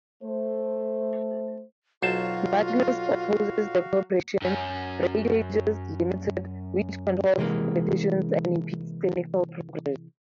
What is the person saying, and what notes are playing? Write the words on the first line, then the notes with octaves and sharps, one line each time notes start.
Magnus opposes the corporation "Breakages, Limited", which controls politicians and impedes technical progress.
A3 C5
B1 F#3 F4 F#4 C5 F5 A5
F#2 C#4
C3 E3 G#3 A#3